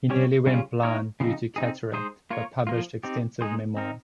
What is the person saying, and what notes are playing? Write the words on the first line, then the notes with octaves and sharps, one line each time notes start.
He nearly went blind due to cataract but published extensive memoirs.
G3 C#4 G4 C#5
C#3 G3 C#4 F4
A#3 D#4 A#4 C#5
C#3 F3 C4 D#4
C4 D#4 G#4
G#3 D#4 G#4 C5
A#3 F4 A#4 C#5
F3 A#3 F4
C4 D#4 G4
G#3 D#4 G#4 C5
C4 D#4 A#4